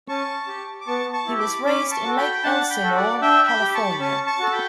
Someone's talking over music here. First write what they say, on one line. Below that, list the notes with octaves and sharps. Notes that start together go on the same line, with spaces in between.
He was raised in Lake Elsinore, California.
C#4 A5 C#6
G4
D6
B3 A5 C#6
A5 C#6
E4 G4
B5 D6
C#4 B5 D6
A5 C#6
F#4 A4
G5 B5
G5
D4 F#5 A5
G5 B5
F#4 A4
D5 F#5
D4 E5 G5
G5 B5
G4
A5 C#6
B5
C#4 A5 C#6
A5 C#6
F#4 A4 A5
G5 B5